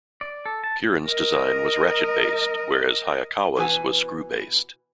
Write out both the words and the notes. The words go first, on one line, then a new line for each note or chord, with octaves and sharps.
Keeran's design was ratchet-based, whereas Hayakawa's was screw-based.
D5
A4
A5
A#4 D#5
B2 E3 A#4 B4 G#5